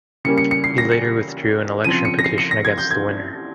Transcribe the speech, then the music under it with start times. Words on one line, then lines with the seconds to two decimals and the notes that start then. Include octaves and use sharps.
He later withdrew an election petition against the winner.
0.25 C#3 G3 A#3 C#4 C#7
0.38 C#7
0.51 C#7
0.64 C7
0.78 A#6
0.91 C#7
1.84 C#3 F3 C4 D#7
2.05 C#7
2.19 A#6
2.24 C7
2.38 C#7
2.51 A#6
2.65 G#6
2.78 G6
2.91 G#6